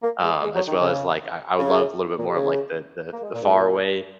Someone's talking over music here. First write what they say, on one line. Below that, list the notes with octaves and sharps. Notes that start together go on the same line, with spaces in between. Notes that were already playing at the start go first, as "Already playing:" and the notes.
um, as well as, like, I I would love a little bit more of, like, the the the faraway,
A#3
G#3
G#3
F#3
D#3
C#3
C#3
A#2
C3
C#3
A#3
G#3
A#2
G#2
A#2